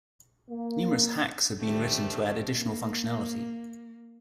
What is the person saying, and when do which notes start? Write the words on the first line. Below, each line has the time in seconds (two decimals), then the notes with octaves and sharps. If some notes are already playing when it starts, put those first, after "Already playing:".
Numerous "hacks" have been written to add additional functionality.
0.49 A#3
1.62 D3 D#3 G3 A3 C4
2.53 A#3